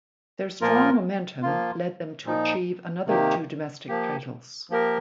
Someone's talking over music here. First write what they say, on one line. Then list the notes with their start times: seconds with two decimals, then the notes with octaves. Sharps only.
Their strong momentum led them to achieve another two domestic titles.
0.61 A#2 F3 A#3 F4 A#4
1.43 F3 A#3 F4
2.25 A#2 F3 D#4
3.06 C3 D#3 A#3 G4
3.88 F3 A#3 G4
4.70 F3 A#3 G4 A#4